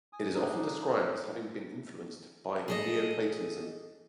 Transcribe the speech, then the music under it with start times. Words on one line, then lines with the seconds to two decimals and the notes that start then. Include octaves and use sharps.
It is often described as having been influenced by Neoplatonism.
0.13 G#5 D#6
0.35 C#3 D4 D#4 G#4
2.68 G#4 A4 D#5